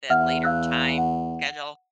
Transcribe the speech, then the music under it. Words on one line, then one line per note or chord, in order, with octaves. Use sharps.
that later time schedule.
E2 E5 F#5 F6
F5 E6 F#6
F#5